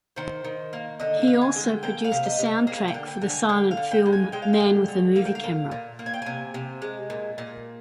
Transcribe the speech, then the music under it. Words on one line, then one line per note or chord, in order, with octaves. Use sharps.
He also produced a soundtrack for the silent film "Man with a Movie Camera".
D#3 C5
D#3
A#3
D3 D#5
F5
D3
G#5
G#3
G5
A#3 G5
F5
C3
D#5
C3
A#4
A#3 G#4
G5
D3
G5
D3
G#5
D3 G5
F5
D3
G5
G#3
G#5
G#3 G5
F5
G5
D3
D3
A#3 F5
G5
F5
A#2
A#2
A#3
G#5
G5
C3 G#5
C3
G#3
A#2
A#2